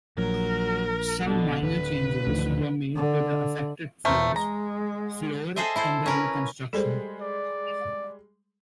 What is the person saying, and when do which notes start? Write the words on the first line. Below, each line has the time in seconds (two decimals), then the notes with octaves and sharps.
Some minor changes were made to the affected floors floor in the reconstruction.
0.18 A#1 F#3 A#4
1.25 B2 D3 D4
1.60 D1 D3 B4
2.25 A1 D2 D3 D#3 F3
2.96 D3
4.05 E2 A3 A#4 C5
4.36 G#3 A#5
5.56 G#4 A4 C5 D#5 E5
5.76 E4 A4 C5
6.06 C#4 A#4 B4
6.73 G3 G#3 A4 C5
7.21 D5